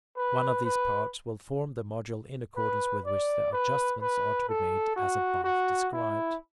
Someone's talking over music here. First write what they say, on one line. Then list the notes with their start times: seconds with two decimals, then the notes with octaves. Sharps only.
One of these parts will form the module in accordance with which the adjustments are to be made as above described.
0.17 B4
0.65 B4
2.56 B4
3.05 D5
3.52 B4
4.01 B4
4.48 A4
4.96 F#4
5.44 F#4
5.93 E4